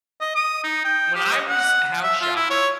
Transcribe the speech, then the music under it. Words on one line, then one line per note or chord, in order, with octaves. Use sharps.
when I was house shopping
D#5
D#6
D#4
G5
G4
D#5
F#5
E5
F4
E4
C#5